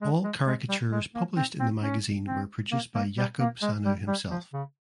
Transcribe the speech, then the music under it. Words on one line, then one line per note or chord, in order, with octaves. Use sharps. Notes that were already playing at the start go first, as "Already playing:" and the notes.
All caricatures published in the magazine were produced by Yaqub Sanu himself.
G#3
G#3
G#3
G3
G#3
A#3
C4
C4
C#4
C4
A#3
A#3
G3
A#3
G#3
G3
G3
F3
C#3